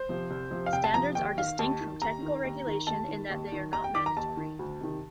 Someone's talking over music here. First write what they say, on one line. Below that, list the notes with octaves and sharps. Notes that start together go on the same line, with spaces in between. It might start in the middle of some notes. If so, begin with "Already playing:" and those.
Standards are distinct from technical regulation in that they are not mandatory.
Already playing: C5
C3 F3
C2
C3 F3
F5
C2 G5
A5
C3 F3 A#5
D#2 G5
D#3 F5
D#2 A5
D#3
D#2 A#5
D#3
D#2
D#3
D#2 A5
D#3
D#2
D#3
D#2 A#5
G5
D#3 D6
A#5
D#2 A5
D#3
D2
C3 D#3